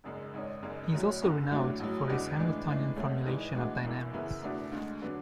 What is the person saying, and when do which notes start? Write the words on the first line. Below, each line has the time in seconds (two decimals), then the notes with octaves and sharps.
He is also renowned for his Hamiltonian formulation of dynamics.
0.04 G#1 F#2 C#3 G#3
0.34 G#1 G#2 G#3 C#4
0.62 G#1 F#2 C#3 G#3
0.91 B1 A2 F#3 C#4
1.22 F#1 F#2 D3
1.50 A2 F#3 A3 D4 F#4
1.80 A1 A2 F#3
2.09 E2 C#3 G#3 D4 F#4
2.38 A2 E3 G#3 D4
2.67 A2 E3 G#3 D4
2.96 C#2 B2 A3 C#4
3.26 G#1 G#2 E3 G#3
3.55 A2 E3 G#3 D4 F#4
3.84 F#1 F#2 E3
4.13 F#2 C#3 E3 B3 E4
4.43 E2 B2 A3 D4 F#4
4.71 D2 D3 G#3
5.01 D3 F#3 B3 D4